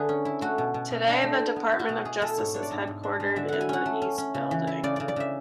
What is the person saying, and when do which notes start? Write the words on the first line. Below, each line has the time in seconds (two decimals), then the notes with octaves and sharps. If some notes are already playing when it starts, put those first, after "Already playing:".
Today the Department of Justice is headquartered in the East Building.
Already playing: D3 G#4 B4 E5
0.09 C#4
0.25 E4
0.41 A3 F#4
0.58 B2
0.74 B2
0.91 B2
1.07 D4
1.23 A3
1.39 E4
1.56 B3
1.72 E4
1.79 F#4
1.89 B2 G#4
2.05 B2 G#4
2.22 E4 A4
2.38 G#2 C#5
2.54 D4 C#5
2.63 D5
2.71 G#2
2.87 G#2
3.03 D4
3.20 G#3
3.36 D3 E5
3.48 E4 F#5
3.61 G#5
3.69 C#4 F#5
3.86 A3
4.02 C#4
4.18 C#4
4.35 C#3
4.51 E3
4.67 E4
4.83 C#3 D5
4.96 C#3 D5
5.08 D5
5.16 C#3 E5